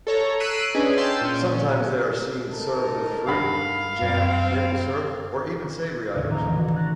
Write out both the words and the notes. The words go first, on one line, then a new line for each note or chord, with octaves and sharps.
Sometimes they are seen served with fruit, jam, maple syrup, or even savory items.
A4 C#5 A#5
E6 F#6 B6 C7 D7 D#7
C#4 D4 G#4 B4 D#5
F5 G5 A5 C6 E6 G6
A#2 C#4
D#4 A4 A#4
G2 F5 B5
F#2 C4
D#2 A2 C#3 C#4 C#5
A#1 D#2 D#3 C#5 A#5 D6
A1
F#4
A#5 F#6 A6 A#6